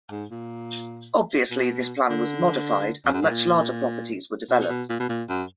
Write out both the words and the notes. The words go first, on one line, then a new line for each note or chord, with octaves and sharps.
Obviously, this plan was modified and much larger properties were developed.
G#2
A#2
B2
D3
F2
F#2
G#2
A#2
B2
B2
A#2
B2
A#2
F#2